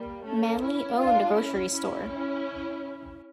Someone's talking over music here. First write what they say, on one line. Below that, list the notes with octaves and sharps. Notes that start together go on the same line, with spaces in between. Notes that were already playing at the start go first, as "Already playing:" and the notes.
Manly owned a grocery store.
Already playing: G3 A#3
A3 C#4
C#4 E4
D4 F4
C#4 E4
C#4 E4